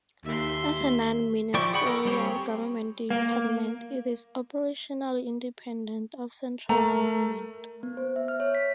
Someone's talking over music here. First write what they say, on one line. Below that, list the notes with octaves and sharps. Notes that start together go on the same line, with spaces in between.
As a non-ministerial government department it is operationally independent of central government.
D#2 E5 C6
F3 E4 D5 G5 C#6
G#4 F#5 G5 B5 C#6
A4 A#4
G3 C4 G4 G#4 C#5
A#3
A3 A#4 A#5
B3
C5
E5
F6
C#5
B6